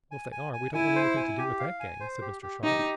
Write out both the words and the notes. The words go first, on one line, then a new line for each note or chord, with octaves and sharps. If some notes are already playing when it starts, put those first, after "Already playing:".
"Well, if they are, we don't want anything to do with that gang," said Mr. Sharp.
G#5
G#5
G#5
E4 G#5
C5
G#5
G4
F5
G#5
C5
G4
G4
D#4 G4